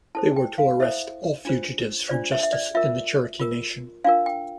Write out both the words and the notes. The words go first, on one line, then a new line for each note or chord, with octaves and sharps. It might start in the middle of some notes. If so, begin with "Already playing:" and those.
They were to arrest all fugitives from justice in the Cherokee Nation.
E4 A4 C5 A5
G5
F5
E4 A4 C5 E5
D4 F4 C5
D4 F4 C5 D5
E5
E5
D5
F4 A#4 E5
F4 A#4
D4 F4 A#4 F5
G5